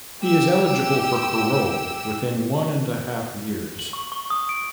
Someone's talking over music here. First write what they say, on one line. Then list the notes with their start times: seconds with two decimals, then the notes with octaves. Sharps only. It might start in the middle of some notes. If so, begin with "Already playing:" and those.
He is eligible for parole within one and a half years.
0.22 G4 E6
3.79 F#7
3.93 C#6
4.12 C#6
4.30 D#6
4.49 D7